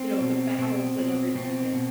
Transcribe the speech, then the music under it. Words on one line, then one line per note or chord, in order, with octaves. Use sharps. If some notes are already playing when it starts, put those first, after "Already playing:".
you know, the battles and everything and
Already playing: C4
B2
B2 C4
B2
B2 C4
B2